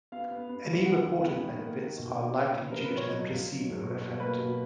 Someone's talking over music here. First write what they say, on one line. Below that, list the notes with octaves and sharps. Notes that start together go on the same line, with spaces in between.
Any reported benefits are likely due to the placebo effect.
B3 F5
B3
B3
F3
G#3 F#5
D#3
B3
D#3
A#3
A#3
B2
D#4
B3 F5
A#2
F3 A#4
B4
A#2
C#5
F#3 D#5
F4
F#3
F#3
B2
B2
A#3 B4
B2